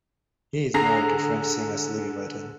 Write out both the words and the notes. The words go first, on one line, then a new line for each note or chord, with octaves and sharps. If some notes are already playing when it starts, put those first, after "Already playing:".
He is married to French singer Sylvie Vartan.
D3 G#4 A#5 A#6 C7